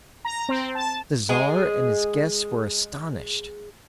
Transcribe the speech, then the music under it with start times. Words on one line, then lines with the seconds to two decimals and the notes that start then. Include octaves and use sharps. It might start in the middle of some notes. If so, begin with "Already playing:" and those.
The Tsar and his guests were astonished.
0.25 A#5
0.49 C4
0.75 A5
1.29 G#3 G#4